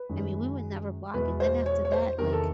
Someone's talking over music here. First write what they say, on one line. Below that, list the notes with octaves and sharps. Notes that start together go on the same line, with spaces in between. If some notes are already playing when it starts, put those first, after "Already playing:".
I mean, we would never block it. Then after that, like,
Already playing: B4
F#2 D#3 G#3 C#4
E2 B2 G#3 B4
C5
C#5
C#5
C5
E2 C3 D#3 A#4
A4